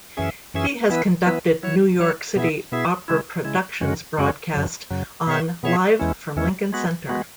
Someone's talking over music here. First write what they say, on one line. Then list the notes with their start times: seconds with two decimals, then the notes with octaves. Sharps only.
He has conducted New York City Opera productions broadcast on Live from Lincoln Center.
0.17 F#2 E3 C#4 G#4 E5
0.54 F#2 E3 C#4 G#4 E5
0.90 E3 B3 E4 B4
1.26 E3 B3 E4 B4
1.63 F#3 E4 C#5
1.99 F#3 E4 C#5
2.36 B2 B3 E4 G#4 E5
2.72 B2 B3 E4 G#4 E5
3.08 C#3 G#3 E4
3.45 C#3 G#3 E4
3.81 F#2 C#3 G#3 C#4 F#4
4.18 F#2 C#3 G#3 C#4 F#4
4.53 F#2 C#3 F#3
4.90 F#2 C#3 F#3
5.27 B2 B3 G#4 C#5 E5
5.63 B2 B3 G#4 C#5 E5
5.99 E2 E3 G#3 C#4 E4
6.36 E2 E3 G#3 C#4 E4
6.73 G#3 B3 F#4
7.09 G#3 B3 F#4